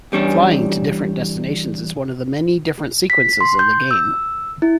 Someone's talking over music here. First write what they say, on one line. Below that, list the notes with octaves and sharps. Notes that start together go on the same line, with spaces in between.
Flying to different destinations is one of the many different sequences in the game.
E2 G3 C#4 D4
B6
C6
G6
E6
E4